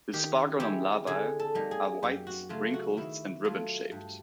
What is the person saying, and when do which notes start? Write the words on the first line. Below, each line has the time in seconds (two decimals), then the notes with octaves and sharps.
The sparganum larvae are white, wrinkled, and ribbon-shaped.
0.13 D#3 G4
0.60 G#3 C4 E4 G4
1.07 D3 G#4
1.39 A4
1.55 G3 A#3 D#4
1.71 G#4
2.03 F#2 G4
2.27 F#4
2.49 C#3 F#3 A3 F4
2.74 F#4
2.97 D#3 E4
3.44 F#3 A3 F4
3.92 G2